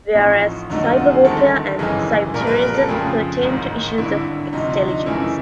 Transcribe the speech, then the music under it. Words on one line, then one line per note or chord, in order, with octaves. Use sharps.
Whereas cyber-warfare and cyber-terrorism, pertain to issues of extelligence.
A1 A2 F3 D#4
F1 D#2 D3 F#3 A3 D#4
F4
F#4
G#4
G1 G2 D#3 A4
G#1 F#2 C#3 E3 G#3
A#1 A#2 G3 A#4
B4
A#4
A4
F2 C#3 F3 A3 G#4
A1 G#2 D#3
G#1 G2 D3 E4
D2 C3 F3 D#4
D4
D#4
F#2 C#3 E3 A3 E4